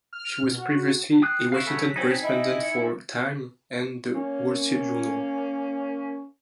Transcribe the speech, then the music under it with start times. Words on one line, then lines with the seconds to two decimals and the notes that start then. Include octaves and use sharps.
She was previously a Washington correspondent for "Time" and "The Wall Street Journal".
0.13 F6
0.43 B2
0.58 F#4
1.22 G5 D#6 F#6 C7
1.52 E4 F#4 F5
1.66 C#3 F#3 A3 F#4 B6
1.96 F#3 C4 D#4 G#4 G5
2.23 E4 D#5
2.63 C#7
4.14 A#3 C#4